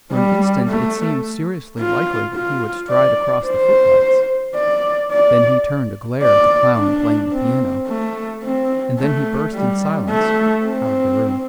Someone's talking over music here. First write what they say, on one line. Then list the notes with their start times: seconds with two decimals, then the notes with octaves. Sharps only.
For an instant it seemed seriously likely that he would stride across the footlights; then he turned a glare at the clown playing the piano; and then he burst in silence out of the room.
0.13 G3
0.69 A3
1.79 F4
2.34 F4
2.90 D5
3.44 C5
4.55 D5
5.12 D5
6.22 D5
6.77 D4
7.33 C4
7.87 A3
8.43 C4
8.99 A3
9.53 G3
10.10 A3
10.65 C4